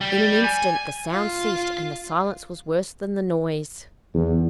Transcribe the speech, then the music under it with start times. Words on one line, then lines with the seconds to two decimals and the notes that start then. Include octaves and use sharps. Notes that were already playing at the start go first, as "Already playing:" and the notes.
In an instant the sound ceased and the silence was worse than the noise.
0.01 G3
0.44 G#5
1.11 F4
4.14 E2